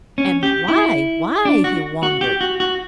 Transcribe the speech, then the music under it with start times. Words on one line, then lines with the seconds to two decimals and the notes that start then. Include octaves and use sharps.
"And why--why?" he wondered.
0.18 C#4
0.43 G4
0.68 E4
1.45 D4
1.64 F#4
2.03 F#4
2.21 G4
2.41 F#4
2.60 F#4